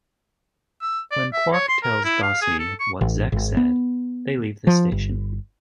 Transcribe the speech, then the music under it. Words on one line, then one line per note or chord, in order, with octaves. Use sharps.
When Quark tells the Dosi what Zek said, they leave the station.
E6
D5
E5
C#5
C6
A#4
E4
F5
G#4
A4
C#6
A1
G#1
B3
F3
G1